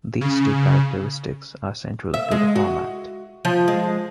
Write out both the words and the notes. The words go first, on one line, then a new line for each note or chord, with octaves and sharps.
These two characteristics are central to the format.
C#3
E5
G#3
F#4
F3
G#3